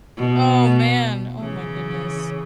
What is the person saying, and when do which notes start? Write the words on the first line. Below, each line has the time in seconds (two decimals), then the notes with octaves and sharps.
Oh man, oh my goodness.
0.17 B2
1.40 C#3 E3